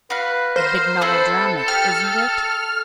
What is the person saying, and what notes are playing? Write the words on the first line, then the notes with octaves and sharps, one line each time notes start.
A bit melodramatic, isn't it?
F#4 B4 F5
A#4 C5
C4 E4 A4 B4
G4 G5 F6